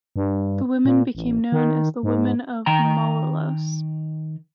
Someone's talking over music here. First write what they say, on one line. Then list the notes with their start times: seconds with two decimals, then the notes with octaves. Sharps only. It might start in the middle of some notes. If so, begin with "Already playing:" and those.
The women became known as the Women of Malolos.
0.16 G2
0.85 A#2
1.15 A1
1.52 D#3
2.03 G#2
2.66 D#3 G5 A#5